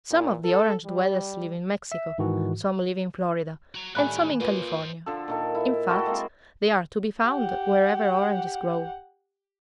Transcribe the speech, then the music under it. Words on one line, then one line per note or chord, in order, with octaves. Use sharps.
Some of the Orange-dwellers live in Mexico; some live in Florida, and some in California; in fact they are to be found wherever oranges grow.
A#2
A4
G3
E5
G#2 D#3 E3 F#4
F#4 A#5
D#2 A2 D#3 G3 G#5 B5 F#6
A#3 F4 B4 C5 D#5
D3 F3 A4
A#2 D#3 A4
E4
F#4 A4 G5 B5
G#3 A#3 C4
G4 F#5